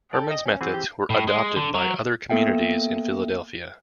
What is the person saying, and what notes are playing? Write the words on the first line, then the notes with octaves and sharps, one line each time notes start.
Herman's methods were adopted by other communities in Philadelphia.
A4 D5 G5
D#5
C#4
E3 C4 F#4 G#4
G4
A2
G#3
D3
F#3
A#3 B3 A4 E5 F5 G5